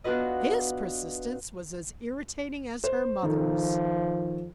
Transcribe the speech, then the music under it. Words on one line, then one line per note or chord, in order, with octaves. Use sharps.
His persistence was as irritating as her mother's.
B3 D4 F4 F#4 B4 D#5
C5
D#3 F3 A4